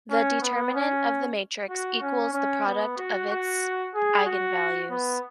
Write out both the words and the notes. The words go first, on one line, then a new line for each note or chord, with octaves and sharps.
The determinant of the matrix equals the product of its eigenvalues.
C#4
B3
C#4
F#4
C#4
C#4
B3
F#4
F#4
G#4
F#4
B3